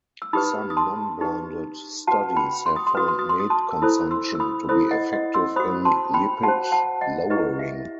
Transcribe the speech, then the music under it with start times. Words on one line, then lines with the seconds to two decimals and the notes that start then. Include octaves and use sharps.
Some non-blinded studies have found mate consumption to be effective in lipid lowering.
0.22 E6
0.33 D#4 G4 B4 B5 D#6
0.70 D#6
0.77 A5 C6
1.21 D#4 G4 B4
2.07 F#4 B4 F#5 A5
2.36 G5 B5
2.66 C6
2.76 D#6
2.87 C6
2.95 F#4 B4 D#6
3.08 C6
3.19 D#6
3.29 C6
3.40 D#6
3.50 A5 C6
3.71 E6
3.82 E4 A4 C5 B5 D#6
4.11 C6 E6
4.35 E6
4.40 B5 D#6
4.69 E4 A4 C5 B5 D#6
4.91 D#5 F#5
5.12 D#5 F#5
5.34 C6 E6
5.56 F#4 C5 B5 D#6
5.85 A5 C6
6.14 G5 B5
6.43 F#4 F#5 A5
6.48 C5
6.72 F#5 A5
7.01 D#5 F#5
7.30 E4 G4 B4 D#5
7.59 E5